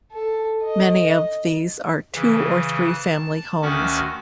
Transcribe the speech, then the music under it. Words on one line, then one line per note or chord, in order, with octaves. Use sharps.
Many of these are two or three family homes.
A4
D#5
C#3 E3
A5
D2 D#3 C#4 F#4 D6